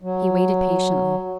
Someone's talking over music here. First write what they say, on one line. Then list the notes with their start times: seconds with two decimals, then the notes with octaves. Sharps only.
He waited patiently.
0.02 F#3